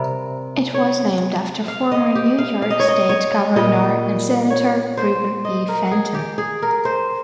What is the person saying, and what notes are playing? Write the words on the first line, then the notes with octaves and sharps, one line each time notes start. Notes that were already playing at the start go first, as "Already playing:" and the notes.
It was named after former New York State governor and senator Reuben E. Fenton.
Already playing: C3 G3 A#4
C#5
F5
D#5
G4
F5
F5
D#5
C#5
D#5
C#5
A#2 G3 D#5
C#5
C5
D#5
A#4
G#4
G4
G#4
A#4
C5